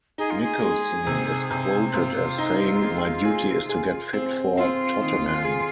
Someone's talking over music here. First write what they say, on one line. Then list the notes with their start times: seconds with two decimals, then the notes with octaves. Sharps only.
Nicholson is quoted as saying My duty is to get fit for Tottenham.
0.18 D#4 G#4
0.30 F4
0.41 G#4
0.62 G#3
1.07 C3
1.51 C3
1.93 C3 F4
2.38 D#4
2.82 G#3
3.25 G#4
3.69 G#4
4.13 C4
4.57 C4 F4
5.01 D#3
5.44 G#4